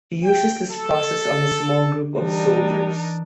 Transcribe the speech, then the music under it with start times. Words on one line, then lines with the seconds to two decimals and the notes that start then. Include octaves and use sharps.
He uses this process on his small group of soldiers.
0.24 G5
0.71 A4
2.21 E3 G3 D4 D#4 A#4